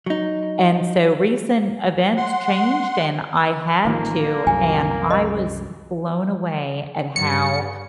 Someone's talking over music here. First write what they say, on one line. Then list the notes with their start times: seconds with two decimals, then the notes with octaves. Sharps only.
And so recent events changed and I had to, and I was blown away at how
0.06 F#3 D#4
2.17 F#5 C6
3.85 A1 D#3 F3 A#3
4.47 C2 F#2 G#5
5.10 D#5
7.16 G2 C#7